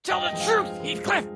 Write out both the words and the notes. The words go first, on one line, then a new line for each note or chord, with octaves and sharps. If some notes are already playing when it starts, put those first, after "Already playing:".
Tell the truth, Heathcliff!
G2 D#5 G5
D#5 G5
F3 G#3 C4
F5 G#5
G2
F3 G#3 C4
G2